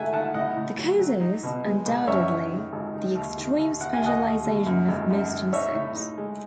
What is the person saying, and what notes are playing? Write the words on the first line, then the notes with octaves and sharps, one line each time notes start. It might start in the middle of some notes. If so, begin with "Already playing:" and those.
The cause is, undoubtedly, the extreme specialization of most insects.
Already playing: G#2 A3 E5 F#5 G#5
D#3 F#5 A5
A2 D#5 F#5
A2
F#3
F#3
D#4
B2
G#3
B1
F#2 C#5 E5
D#3
D#3
G#1
D#3
D#2
D#3
D#2
D#3 F#5
G#5
D#2 D#5 F#5
D#2
D#2
F#2
G#1
F#2
D#3
D#4 C#5 E5
A2
D#4
G#3